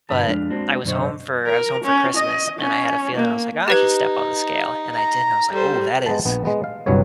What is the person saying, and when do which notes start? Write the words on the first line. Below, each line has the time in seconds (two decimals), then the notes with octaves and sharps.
but I was home for I was home for Christmas, and I had a feeling, I was like, "Oh, I should step on the scale," and I did, and I was like, "Ooh, that is
0.09 G2 D3 B4 A5
0.27 F2 G#3 D4 F5
0.50 G#3 A#3 C4 D4 F#4
0.85 F#2 B2 D3 C5 C#5 D#5
1.46 A#4
1.84 C#4
2.17 D#5
2.59 C#4
3.15 A#3
3.68 D#4 G4 B4 G#6
4.94 A#5
5.53 G3 A4 C5
6.06 G#3 B3 A5
6.25 A#1 B3
6.45 G#3 B3
6.64 F5
6.86 G1 C2 G2 F#3 B3 C#5